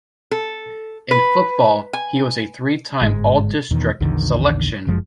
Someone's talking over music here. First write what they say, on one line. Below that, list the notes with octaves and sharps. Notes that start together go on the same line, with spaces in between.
In football, he was a three-time All-District selection.
A4
B4
G#5
G1 G#2 G#3
E2 B2 D#3
A#1 E2 D3 D#3
F#1 F#2 F3 G#3